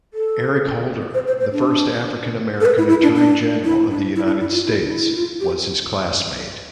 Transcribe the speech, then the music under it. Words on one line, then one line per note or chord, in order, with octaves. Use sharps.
Eric Holder, the first African-American Attorney General of the United States, was his classmate.
A4
C5
C5
C5
D4
A4
B4
E4
E4
D4
D4
E4
D4
E4
D4
E4
F4
E4
D4
E4
F4
G4